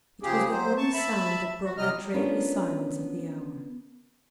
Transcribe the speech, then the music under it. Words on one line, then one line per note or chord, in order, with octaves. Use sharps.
It was the only sound that broke the dreary silence of the hour.
C#3 F3 G4 G#4
F#3 C5
A5 C#6
E5 A5 B5
F#4
C3 F#3 G3 D#5 F6
B3 C#4 D4 F4 A#4